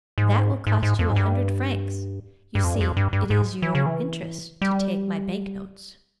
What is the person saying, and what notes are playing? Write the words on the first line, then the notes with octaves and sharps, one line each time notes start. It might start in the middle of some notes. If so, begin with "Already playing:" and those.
"That will cost you a hundred francs; you see it is your interest to take my bank-notes."
G#2
G#2
G#2
F2
G#2
G2
G2
F2
G2
F2
G2
G2
G#2
E3
C#3
E3
G3